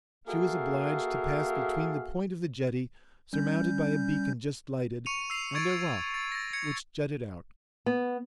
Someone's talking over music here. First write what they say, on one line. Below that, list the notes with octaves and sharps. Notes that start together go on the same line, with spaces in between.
She was obliged to pass between the point of the jetty, surmounted by a beacon just lighted, and a rock which jutted out.
A#3 F#4 G#4 A4 E5 F5
G3 C#4 G6
C#6 C#7 D#7 F7
E6 C7 F7
C#6 G#6 A6 D7
A6
A6 A#6
G#6 C#7
B3